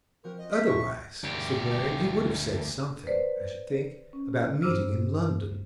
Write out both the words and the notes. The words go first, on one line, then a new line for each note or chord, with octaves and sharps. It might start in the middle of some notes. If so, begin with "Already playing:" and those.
'Otherwise,' said Marian, 'he would have said something, I should think, about meeting in London.'
F3 C4 F#4 A#4
D#5
E5 F#5
A#2 C#6
D2 G4
B4 C5 D5
C#4
G2 C5 D6 E6 F6